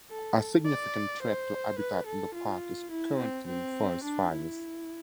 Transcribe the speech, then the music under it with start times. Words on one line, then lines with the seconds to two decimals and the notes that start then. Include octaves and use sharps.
A significant threat to habitat in the park is currently forest fires.
0.10 A4
0.66 D5
1.23 C5
1.79 B4
2.07 A4
2.35 F4
2.91 E4
3.20 C4
3.47 C4
4.04 D4
4.32 E4